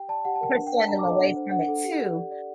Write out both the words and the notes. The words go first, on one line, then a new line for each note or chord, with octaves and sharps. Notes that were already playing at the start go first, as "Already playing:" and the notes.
"persuade them away from it too?"
Already playing: G4 G5
D5 A5
G4 F#5
A5
A#4 G5
D4 F#5
G5
D5 A5
D4 A#5
D6
A4
D#5
D4 F#5
C5
D4 F#5
A4
G4
G4
D5
D5